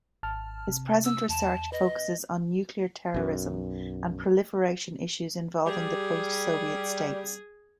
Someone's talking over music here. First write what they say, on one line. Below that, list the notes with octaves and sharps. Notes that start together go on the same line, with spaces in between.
His present research focuses on nuclear terrorism and proliferation issues involving the post-Soviet states.
G#1 A5 F6
C3
E6
E2 A5
B4 D#5
B1 F#2
G3 G#4